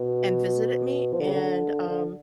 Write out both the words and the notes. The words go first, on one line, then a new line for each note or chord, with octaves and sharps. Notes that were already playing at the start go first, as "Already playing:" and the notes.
and visited me, and, um,
Already playing: B2
F3
D3
C#3
D3
D3